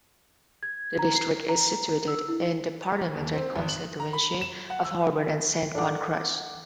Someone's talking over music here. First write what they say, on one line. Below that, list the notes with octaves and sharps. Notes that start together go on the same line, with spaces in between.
The district is situated in the parliamentary constituency of Holborn and Saint Pancras.
G#6
A#5
C7
A#5
E6
E4
D#2
C4
G#1
F#7
A#5
B5
E7
F#5
E6
D4 A4 F5 F#5 D6